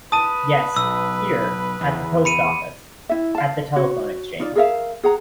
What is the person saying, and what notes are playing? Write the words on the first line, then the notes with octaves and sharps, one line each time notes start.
Yes, here; at the post office — at the telephone exchange.
B4 A5 D#6 D#7
B1 E6
E2
B5 C#7 D#7
E4 E5
F5 A5
F#4 C#5
D#4 F4 D5
G#4 A#4 E5 F5
G#4 F#5 A#5